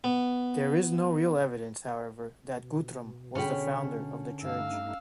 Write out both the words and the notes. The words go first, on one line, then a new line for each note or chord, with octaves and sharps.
There is no real evidence, however, that Guthrum was the founder of the church.
B3
B2
D3 C#4 G#4 G5 B5
G2 A3 D#4 F5 E6